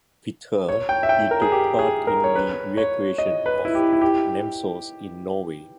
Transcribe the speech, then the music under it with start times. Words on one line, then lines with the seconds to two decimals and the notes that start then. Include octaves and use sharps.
With her he took part in the evacuation of Namsos in Norway.
0.69 C#5
0.89 G5
1.03 E5
1.09 G5
1.31 A#4
1.42 G#4
1.52 G4
1.79 G#4
2.07 A#4
2.24 C#5
2.36 B4
2.77 C#5
3.18 D#5
3.46 B4
3.65 E4
3.75 G4
3.93 E4
4.01 G4